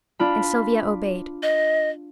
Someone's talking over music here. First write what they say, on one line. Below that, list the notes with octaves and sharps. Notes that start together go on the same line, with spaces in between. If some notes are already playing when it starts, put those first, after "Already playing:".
And Sylvia obeyed.
D4 F4 B5
D#5